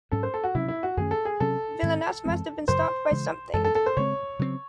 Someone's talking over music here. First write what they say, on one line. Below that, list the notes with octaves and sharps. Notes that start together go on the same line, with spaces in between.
Villainess must have been stopped by something.
G#2 F#3 C#4 A4
C5
A4
F#4
C3 F#3 C#4 E4
E4
F#4
F#2 D#3 A3 C#4 G#4
A4
G#4
C3 F#3 C#4 A4
G#2 D#3 G#3 C4
F#2 E3 G#3 C4
F#2 C#3 F#3 C5
C#3 E3 G#3
F#2 E3 G#3 A4
A4
A4
C5
C#3 G#3 C4 C#5
C#3 F#3 A3 C4